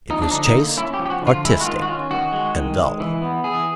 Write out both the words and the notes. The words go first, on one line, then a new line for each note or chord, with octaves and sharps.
It was chaste, artistic, and dull.
F3 D#4
D4
D3 D#4
D#4
A#3
C#4 E4
G4
F3
G4
F#4
D3 F4
G#3 E4
F#4
D#3 F4
F#4
C#4 F4
D#3 F#4
G#3
D#3
G#3
E3
B3
E3 G#4